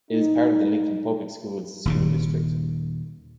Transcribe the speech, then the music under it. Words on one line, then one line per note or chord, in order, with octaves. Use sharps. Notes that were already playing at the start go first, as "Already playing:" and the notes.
It is part of the Lincoln Public Schools school district.
D#4
D#1 D#2 C#3